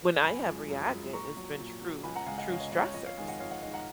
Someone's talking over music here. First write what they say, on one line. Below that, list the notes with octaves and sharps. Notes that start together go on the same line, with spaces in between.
When I have reacted, it's been true true stressors
F#2 G#5 B5
F3 G#3
F#2
F3 G#3
A#2 A#5 C#6
F#3
A#2
F#3
C#2 G#5 B5
F#5 A#5
C#3 G#3 F5 G#5
D#5 F#5
C#2 C#5 F5
D#5
C#3 G#3 D#5
C#5
F2 D#5
C#5 F5
D#3 G#3 F5 G#5
D#5 F#5
F2 C#5 F5
D#5 F#5
D#3 G#3 D#5
F#5 A#5